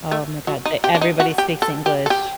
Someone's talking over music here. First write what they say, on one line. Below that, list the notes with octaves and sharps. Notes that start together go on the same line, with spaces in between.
Oh my god. Th everybody speaks English.
A3
F#3
D#4
G4
D4
D#4
F#4
G4
A4
G4
A4
G4